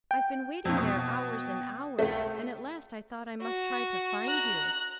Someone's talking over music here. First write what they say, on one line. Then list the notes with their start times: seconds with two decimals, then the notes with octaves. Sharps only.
"I've been waiting there hours and hours, and at last I thought I must try to find you."
0.11 G5
0.65 F2 A#2
0.77 B2
1.99 C#2 A3
3.42 F#4
4.24 A#5 F#6